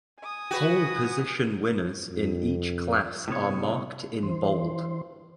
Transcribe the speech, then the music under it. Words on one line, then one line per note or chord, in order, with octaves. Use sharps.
Pole position winners in each class are marked in bold.
G#5 D#6
F#4 B4
F2
A2 C3 B3 C#5
E3 C5